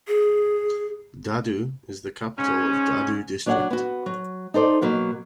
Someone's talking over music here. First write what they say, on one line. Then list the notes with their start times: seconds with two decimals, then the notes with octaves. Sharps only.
Dadu is the capital of Dadu District.
0.08 G#4
2.37 G#2 C#4
3.46 F#3 D4 C#5 F5 F#5
3.70 B3 F#4
4.06 F#3
4.54 D#4 A4 C5 D5
4.81 B2 F#3 A#3 B3